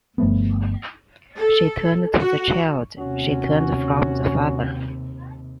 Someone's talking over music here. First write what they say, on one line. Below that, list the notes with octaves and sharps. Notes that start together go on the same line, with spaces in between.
She turned to the child; she turned from the father.
G1 F3 A3 B3
A4
F#4
D#2 C3 C#4 F#4